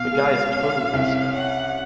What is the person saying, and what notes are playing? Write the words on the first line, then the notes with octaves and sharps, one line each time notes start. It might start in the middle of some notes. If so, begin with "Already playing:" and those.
The guy is totally insane.
Already playing: B2 F5
G#3
C#4
C2
C#4 F#5